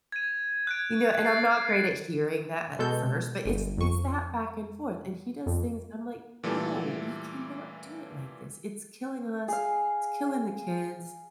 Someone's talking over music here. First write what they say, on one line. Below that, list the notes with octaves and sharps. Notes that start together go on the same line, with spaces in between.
you know, and I'm not great at hearing that at first, but it's it's that back and forth, and he does things, I'm like, "No, we cannot do it like this, it's killing us, it's killing the kids.
G#6 D#7
F#6 G#6 D7
A6 C7
B2 G#3 A4 G6
G1
F2 C#6
F2
A#2 E3 G3 A3 A4
G#4 F5